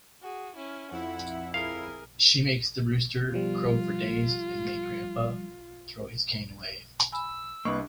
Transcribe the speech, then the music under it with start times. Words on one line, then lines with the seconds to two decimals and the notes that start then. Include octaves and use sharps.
She makes the rooster crow for days and made grandpa throw his cane away.
0.22 F#4 G#4
0.56 C#4 E4
0.91 F2 E4 F#5
1.54 G#4 A#4 F5
3.32 B2 F3 G3 F4
7.12 G#5 B5 E6
7.65 C2 A#3 D4 B4 D#5 C#6